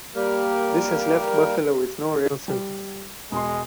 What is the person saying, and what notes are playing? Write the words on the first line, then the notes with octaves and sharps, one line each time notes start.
This has left Buffalo with no rail service.
G3 A#3 G4 A#4
G3
E1 G#3 C6